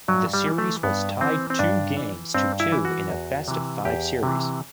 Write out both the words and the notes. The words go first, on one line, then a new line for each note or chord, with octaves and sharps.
The series was tied two games to two in a best-of-five series.
G2 F#3
G3
E3
A3
G2 B3
E3 C4
C4
G2 D4
E3
G2 C4
E4
E3
F#4
E2
C3 E3
E2 G4
C3 E3